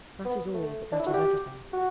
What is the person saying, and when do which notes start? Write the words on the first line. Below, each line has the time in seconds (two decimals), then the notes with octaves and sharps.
That is all: but that is everything.
0.25 B3
0.54 A3
0.92 D4
1.00 E4
1.07 F#4
1.14 G4
1.73 F#4